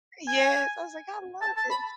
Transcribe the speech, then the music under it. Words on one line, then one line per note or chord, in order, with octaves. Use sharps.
yes, I was like, "I love it."
G#5
A5
A5
B5